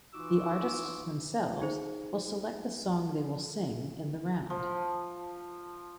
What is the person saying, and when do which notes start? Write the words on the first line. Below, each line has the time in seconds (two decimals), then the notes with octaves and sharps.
The artists themselves will select the song they will sing in the round.
0.13 E3 D#4 F4 F#4 D6 E6
1.60 D#4 G#4 C5
4.50 F3